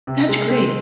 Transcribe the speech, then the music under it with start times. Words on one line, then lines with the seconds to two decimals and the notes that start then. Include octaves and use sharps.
That's great.
0.07 C3
0.28 G#3
0.49 C4